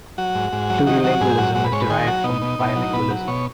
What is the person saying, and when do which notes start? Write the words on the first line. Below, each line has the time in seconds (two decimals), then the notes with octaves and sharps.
Plurilingualism is derived from bilingualism.
0.18 F#3 F#4
0.35 G#2
0.53 G#2
0.70 F#3
0.87 D#3 F#4
1.04 F#3 F#4
1.21 G#2 G#4
1.38 F#3 F#4
1.55 G#2 F#4
1.65 B4
1.72 G#2 C#5
1.81 B4
1.90 D#3 G#4
2.07 F#3 F#4
2.24 B2 D#4
2.42 B2
2.59 B2
2.76 F#3
2.93 B2 B4
3.10 F#3
3.27 B2 C#5